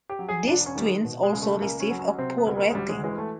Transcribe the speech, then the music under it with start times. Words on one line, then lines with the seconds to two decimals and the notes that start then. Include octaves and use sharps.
These twins also received a "poor" rating.
0.09 G4
0.19 F#3
0.29 G#4
0.47 E1 D4
0.66 C#4
0.76 D#3 G3
0.85 G#3
1.05 B2
1.23 G#3
1.33 C#2
1.42 A3
1.61 C#2 A#3
1.80 C#4
1.90 F#3
1.99 C#4
2.18 C3 C4
2.38 B3
2.46 D2
2.56 A#3
2.70 G#3
2.75 D2 G3
2.89 G#3
3.04 E3 G#3
3.18 A3